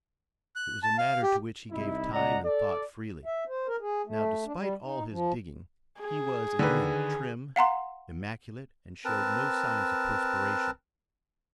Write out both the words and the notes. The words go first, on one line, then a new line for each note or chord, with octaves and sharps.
It was a matter to which he gave time and thought freely. Now, despite all his digging, he was again trim, immaculate, and showed no signs of perspiration.
F#6
A5
F5
G4
C2 D#4 E4
C#2 D5 D#5 F#5 A#5
A4 D5
E5
C5
A#4
G#4
A3
D4
G3
D#4
F3
G#4
D3 D#3 B4
F5 F#5 A#5 C6
C4 A#4 B4 A5